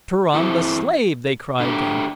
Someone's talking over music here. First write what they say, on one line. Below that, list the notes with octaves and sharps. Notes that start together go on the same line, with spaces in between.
"Turan the slave," they cried then.
E3 C4 E4 A4
D3 A3 D4 G4